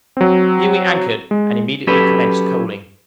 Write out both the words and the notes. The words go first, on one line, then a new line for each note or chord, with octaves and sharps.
Here we anchored, and immediately commenced coaling.
F#3 C4
G#3
F#3 C#4 G4 A4 B4